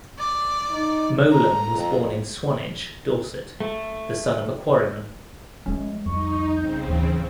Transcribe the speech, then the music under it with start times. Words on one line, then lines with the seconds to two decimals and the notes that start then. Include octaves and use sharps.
Mowlem was born in Swanage, Dorset, the son of a quarryman.
0.19 D5
0.70 D#4
1.31 A4 A#5
1.74 F2
3.60 A3
5.66 F3 G#3 A3 C#4
6.06 C2 F2 D#4 C#6
6.56 C#3 C4 G6
6.88 D1 D#2 E3